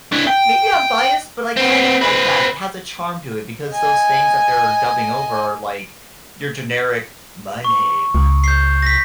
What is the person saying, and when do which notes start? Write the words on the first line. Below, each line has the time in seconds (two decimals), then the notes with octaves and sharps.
maybe I'm biased, but I kind of like that. It has a charm to it because those things that they're dubbing over are like your generic, "My name
0.12 D4 E4
0.27 G5
1.57 B3 C4
2.02 C4 B4
3.71 D#5 G#5
7.65 C#6
8.15 C#2
8.44 G6 C7
8.82 A#6 B6